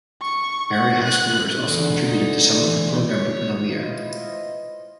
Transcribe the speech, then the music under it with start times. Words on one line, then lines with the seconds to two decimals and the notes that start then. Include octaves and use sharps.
Area high schoolers also contributed to some of the programming put on the air.
0.22 C#6
0.71 F#5
1.04 F#6
1.67 E2 D3
2.07 D#4
2.62 E3
3.10 C#5
3.72 E4 F4 B4 C5 D#5